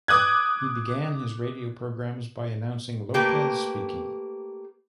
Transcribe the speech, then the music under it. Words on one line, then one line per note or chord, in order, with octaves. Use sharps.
He began his radio programs by announcing Lopez speaking!
D6 D#6 F#6 G#6
A3 A#3 G4 B4